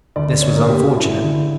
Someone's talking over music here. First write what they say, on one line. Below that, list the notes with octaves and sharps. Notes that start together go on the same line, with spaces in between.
This was unfortunate.
D2 D5
D3 C#5
A#4
G2 G4
F#4
G2 E4
D3